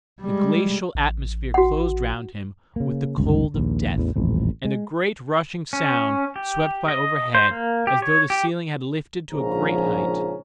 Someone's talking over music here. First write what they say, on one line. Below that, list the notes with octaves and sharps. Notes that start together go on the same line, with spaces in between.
The glacial atmosphere closed round him with the cold of death, and a great rushing sound swept by overhead as though the ceiling had lifted to a great height.
G3 G#3
A1
F#4 F#5
C#3 A#3
G1 C#2 F#2
A#1 D#2
A1 E2
D#1 A1 F2
G#3
C#4
G4
D#5
C5
A#3
G4
C#5
G4
A#1 G#2 C#3 F3 C#4 A#5